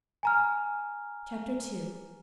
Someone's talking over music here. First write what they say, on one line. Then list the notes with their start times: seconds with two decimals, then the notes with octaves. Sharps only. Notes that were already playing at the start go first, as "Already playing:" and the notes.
Chapter II.
0.23 G#5 A#5 F6